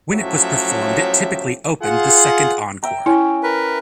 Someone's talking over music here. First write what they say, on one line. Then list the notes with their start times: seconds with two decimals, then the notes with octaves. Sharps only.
When it was performed it typically opened the second encore.
0.13 A2 F3 F#3 C#4 G4 E5
1.82 F4 G#4 F#5
2.83 E5 G5 A#5
3.06 C#4 E4 C#5 G5
3.43 A#4 B4